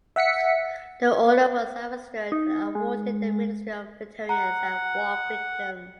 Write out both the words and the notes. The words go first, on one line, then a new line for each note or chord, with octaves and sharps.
The order was administered and awarded the Ministry of Veterans and War Victims.
E5 F#5 B6 C#7
D#4
G#3
F#5 A#5